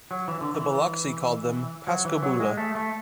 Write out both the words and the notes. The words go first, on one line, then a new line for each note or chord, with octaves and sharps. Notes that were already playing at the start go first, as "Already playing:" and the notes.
The Biloxi called them "Pascoboula".
F#3
E3
D3
E3
F#3
E3
F#3
G#3
A3
A3